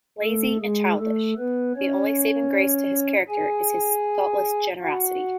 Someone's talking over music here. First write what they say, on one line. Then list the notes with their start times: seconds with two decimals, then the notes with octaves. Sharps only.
Lazy and childish, the only saving grace to his character is his thoughtless generosity.
0.23 A3 A4
0.61 G#3 G#4
1.00 A3 A4
1.38 B3 B4
1.76 C#4 C#5
3.29 G#4 G#5
4.82 F#4 F#5